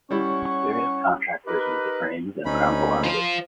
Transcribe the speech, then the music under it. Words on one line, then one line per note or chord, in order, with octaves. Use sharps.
Various contractors made the frames and ground the lenses.
G3 C#4 E4 C#5 F#5 C#6
D#4 G4 A#4 B4
D2 C#4 D#4 B5
F4 C5